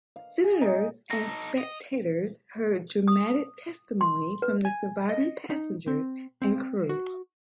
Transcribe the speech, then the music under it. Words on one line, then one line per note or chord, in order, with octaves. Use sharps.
Senators and spectators heard dramatic testimony from the surviving passengers and crew.
F5
G#4
D#4
D#4 A4 A#6
D#5
D#6
C6
B4
G#5
D#5
D#4
C4
C4
F#4